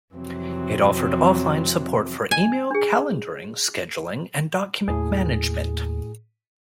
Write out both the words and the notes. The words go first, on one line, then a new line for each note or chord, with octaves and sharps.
It offered offline support for email, calendaring, scheduling, and document management.
F2 C3 E3 F#3 C4
G#5
D4 G#4
D#2 A2 G#4